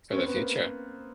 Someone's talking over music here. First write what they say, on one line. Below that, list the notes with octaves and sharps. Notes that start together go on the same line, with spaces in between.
For the future.
C#4
C4
B3
A#3